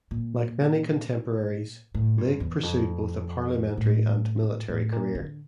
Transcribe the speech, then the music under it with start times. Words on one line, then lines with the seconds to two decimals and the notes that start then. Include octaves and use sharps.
Like many contemporaries, Lake pursued both a parliamentary and military career.
0.11 A#2
1.94 A2
2.18 G2
2.40 E2
2.63 F2
3.77 A2
4.68 A2
4.92 A#2
5.15 D3